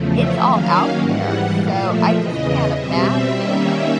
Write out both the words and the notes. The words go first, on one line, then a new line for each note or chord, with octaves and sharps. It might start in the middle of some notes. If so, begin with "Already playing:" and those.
it's all out there. So, I just can't imagine
Already playing: E2 C#3 F3 A3
E5
D#3 F#3 A#3 C#4 F5
G#2 E3 G3 F#5
A#2 F3 A3 F5
E5
E2 C#3 E3 D#5
B2 G3 C4 E5
D#3 G3 A#3 C#4